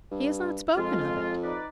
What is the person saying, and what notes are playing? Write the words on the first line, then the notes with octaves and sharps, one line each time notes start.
"He has not spoken of it."
G2
F2 G#3 F4
D#4 B4 D5